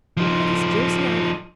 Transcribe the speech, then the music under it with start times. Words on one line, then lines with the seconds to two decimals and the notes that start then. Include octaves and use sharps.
Why this Josiana?
0.17 F3 D#4